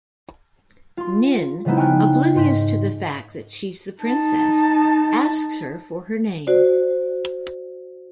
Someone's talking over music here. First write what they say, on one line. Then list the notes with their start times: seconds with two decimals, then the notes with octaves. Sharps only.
Nin, oblivious to the fact that she's the princess, asks her for her name.
0.97 F4 C6
1.65 C#3 F3 G#3 B3 D#4 E4
1.77 G5 G#5 C#6 F6 F#6
2.35 G#2 C6 G6 B6
4.02 D#4 A5
6.47 F#4 C5 D5